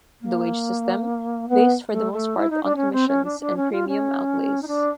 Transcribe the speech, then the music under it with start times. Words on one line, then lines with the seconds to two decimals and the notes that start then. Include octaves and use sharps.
The wage-system based for the most part on commissions and premium outlays.
0.21 A#3
1.49 B3
1.91 A3
2.12 A3
2.37 E4
2.50 D#4
2.63 D4
2.76 C#4
2.92 C4
3.08 C#4
3.24 D4
3.40 D4
3.56 C#4
3.71 F4
3.88 C#4
4.62 D#4
4.67 D4